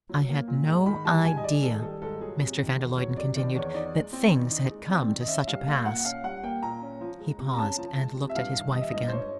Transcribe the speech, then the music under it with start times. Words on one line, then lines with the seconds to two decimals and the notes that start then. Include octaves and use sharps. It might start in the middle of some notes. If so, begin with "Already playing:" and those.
"I had no idea," Mr. van der Luyden continued, "that things had come to such a pass." He paused, and looked at his wife again.
0.09 F#3
0.29 A#3
0.48 A#2
0.67 G#2
0.86 D#3 B5
1.05 G3 A5
1.25 G#2 G#5
1.37 D#5
1.44 G#2 D5
1.63 D#3 A4
1.75 G#4
1.82 G3 A4
2.02 G#2 A4
2.21 F#3 G#4
2.40 C3
2.59 D#3
2.78 E2
2.97 F#3 C#5
3.17 C3 D5
3.36 D#3 D5
3.55 E2 C#5
3.74 D#4 D5
3.94 G#3
4.13 C4
4.32 D#3
4.51 D#4
4.71 G#3
4.90 C4
5.09 D#3
5.20 D#5
5.28 C#4 E5
5.47 G3 F5
5.66 A#3 F5
5.86 A#2 F#5
6.05 C#4 F5
6.24 G3 F#5
6.43 A#3 G5
6.63 A#2 A#5
6.82 C#4
7.01 F3
7.20 G#3
7.40 C3
7.54 A#5
7.58 C#4 A5
7.78 F3
7.97 G#3
8.17 C3
8.29 E5
8.35 G2 F5
8.55 D#3
8.74 G3 D#5
8.81 E5
8.90 G2 D#5
9.08 C5
9.12 G2 C#5